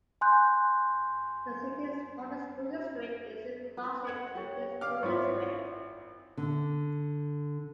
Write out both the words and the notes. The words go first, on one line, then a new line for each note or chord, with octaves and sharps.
The city's public school district is the Clarkston Community School District.
G#5 C6 F#6 G6
B4
F#5 G#6
G4 C#5
F5 D6 F6
G#1 E4 F4 C5 C#5
D3